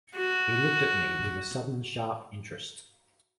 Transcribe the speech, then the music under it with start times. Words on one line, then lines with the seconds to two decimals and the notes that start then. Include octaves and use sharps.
He looked at me with a sudden sharp interest.
0.15 F#4